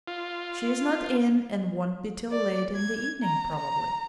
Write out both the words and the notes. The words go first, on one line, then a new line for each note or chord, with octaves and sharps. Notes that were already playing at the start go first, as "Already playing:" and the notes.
She is not in and won't be till late in the evening probably.
F4
D5
G#6
A#5
A#5